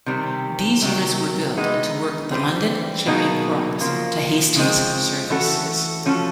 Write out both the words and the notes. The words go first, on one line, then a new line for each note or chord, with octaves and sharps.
These units were built to work the London Charing Cross to Hastings services.
C3 D#3 G3 C4
C3 D#3 F#3
E3 G#3 B3 D#4
E3 G3 C4
B2 F#3 A#3 D#4 G#4
C#3 F3 A#3
C#3 F3 G#3 C4
E3 A3 C#4 F#4 A4
F3 A3 C#4 F#4